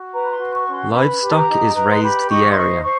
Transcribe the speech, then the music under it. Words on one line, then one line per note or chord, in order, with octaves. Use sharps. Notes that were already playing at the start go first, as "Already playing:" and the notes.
Livestock is raised the area.
Already playing: F#4
B4 A#5
B5
C6
F#4
C#6
C#4
C6
B4 B5
G4
A5
A#5
D#4
B4 A#5
C6
G4 B5
D#4 C#6
C6
C5 C#6
C5 C#6